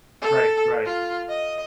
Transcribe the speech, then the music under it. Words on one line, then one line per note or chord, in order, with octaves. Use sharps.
Right, right.
A4
F4
D#5